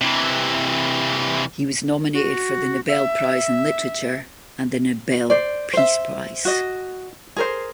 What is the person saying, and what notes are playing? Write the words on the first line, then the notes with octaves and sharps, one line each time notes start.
He was nominated for the Nobel Prize in Literature, and the Nobel Peace Prize.
C3 E3
F#4
E5
C5 D5
C5 E5
F#4 D#5
G#4 A#4 C5